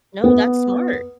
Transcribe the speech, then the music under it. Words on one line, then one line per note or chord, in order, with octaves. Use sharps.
No, that's smart.
B3